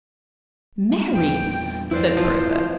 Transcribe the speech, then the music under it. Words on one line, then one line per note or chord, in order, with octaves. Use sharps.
"Mary!" said Bertha.
E2 G2 A#2 G5
F2 G#2 E4 B4 C5 D5
F3